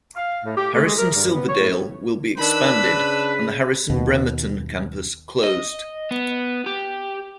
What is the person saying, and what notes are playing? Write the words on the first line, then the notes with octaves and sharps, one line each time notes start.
Harrison Silverdale will be expanded and the Harrison Bremerton campus closed.
F5
A2
G4
A3
G#3
A#4
G2
B3
C#5
A2
D#3 D4 B4 B5 E6
C#3
D#2 B2
D#5
B3
G4